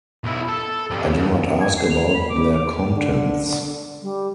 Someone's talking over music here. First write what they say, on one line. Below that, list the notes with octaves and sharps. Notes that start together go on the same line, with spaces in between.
I do not ask about their contents.
B1 E4
A4
F2 G3
D#2
G#6
C7
F7
B5
D6
D6
D3
G3